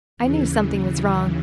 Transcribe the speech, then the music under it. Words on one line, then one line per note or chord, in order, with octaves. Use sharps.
I knew something was wrong.
D#2 C#3 E3